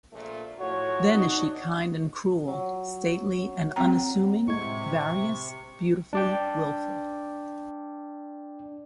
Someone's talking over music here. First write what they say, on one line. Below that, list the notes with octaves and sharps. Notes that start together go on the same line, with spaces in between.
Then is she kind and cruel, stately and unassuming, various, beautifully wilful.
A#1 A#2 A3
A2 F3 F#4 C#5
B1 D4 D#4
F#3
C4 G5 A#5
A2 C3 G#3 C#6 G#6
D4 D5 G5